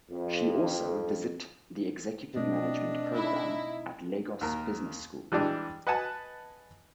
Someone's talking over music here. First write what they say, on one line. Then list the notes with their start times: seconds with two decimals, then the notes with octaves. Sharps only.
She also visit the Executive Management Programme at Lagos Business School.
0.10 F2
2.36 B2 A3 C4 D4 D#5
3.16 D#4 E4 E5
4.41 D#2 A#4
5.32 E3 G3 G#3 D4
5.87 B4 D#5 F#5 G#5 A5 B5